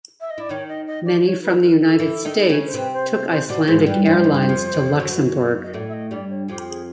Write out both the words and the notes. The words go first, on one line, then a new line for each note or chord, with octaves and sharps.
Many from the United States took Icelandic Airlines to Luxembourg.
E5
D#5
E4 D5
D#3 D#4 C#5
D#5
D#5
D5
C#5
B4
A#4
A4
E3 E4
D#3 D#4
C#3 C#4
C5
C3 C4 B4
C5
C5
C5
B2 B3 D5
G#2 G#3 C5
A#4
G2 G3 B4
G2 G3 C5
G2 G3
G3
F#3
F2 F3
F2 F3
F#2 F#3
D#5
A2 A3 D5
E5
D#5
G2 G3 D5
C#5
F2 F3 G4
G#4